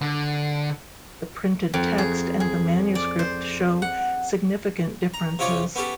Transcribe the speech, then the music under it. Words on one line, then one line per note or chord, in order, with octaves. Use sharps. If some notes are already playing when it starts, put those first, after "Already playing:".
The printed text and the manuscript show significant differences.
D3
F2
G#4
G#4
D5
C5
F#5
A#5
C3 C#4 F4 C#5 D6
B3 C#4 G4 A4